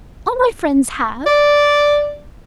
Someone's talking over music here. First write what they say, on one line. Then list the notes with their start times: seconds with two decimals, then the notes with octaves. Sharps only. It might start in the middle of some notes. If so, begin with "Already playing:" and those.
All my friends have.
1.26 D5